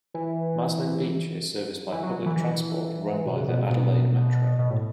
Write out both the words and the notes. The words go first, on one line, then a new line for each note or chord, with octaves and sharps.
Maslin Beach is serviced by public transport run by the Adelaide Metro.
E3
E3
F#3
E3
E3
B2
C#3
B2
B2
B2
A2